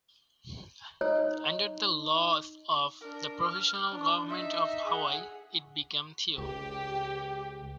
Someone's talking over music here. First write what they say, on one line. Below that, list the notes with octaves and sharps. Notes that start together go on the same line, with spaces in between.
Under the laws of the Provisional Government of Hawaii, it became Theo.
D#4 C#5
D4 A#4
F6
D4
D#4 E5
G#4 F#5
C#2 G4